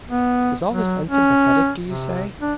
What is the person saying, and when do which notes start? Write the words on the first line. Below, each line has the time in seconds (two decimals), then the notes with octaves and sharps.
Is all this unsympathetic, do you say?
0.08 B3
0.69 F#3
1.09 C#4
1.86 C3
2.42 D4